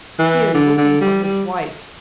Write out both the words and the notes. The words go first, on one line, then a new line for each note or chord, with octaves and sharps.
He is looking for his wife.
E3
D3
D3
G3
G3